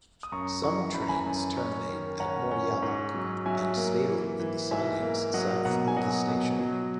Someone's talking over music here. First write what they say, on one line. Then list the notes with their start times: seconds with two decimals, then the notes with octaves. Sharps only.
Some trains terminate at Mordialloc and stable in the sidings south of the station.
0.23 D#6
0.32 F#2 A#5 C#6
0.63 E3 A#5 C#6
0.94 F#2 B5
1.02 A#5
1.09 G#5 B5
1.26 F#2
1.57 C#4
1.88 D#3
2.20 C#4 F#5 A#5
2.51 C#4
2.83 G#2
3.14 F#3
3.45 F#3 E5 G#5
3.77 A#3
4.08 E3
4.40 E3
4.71 G#2 E5 G#5
5.03 A#3
5.34 F#3 D#5 F#5
5.65 B2 F#5 A#5
5.88 G#5
5.97 F#3 D#5 F#5
6.27 B2
6.60 F#3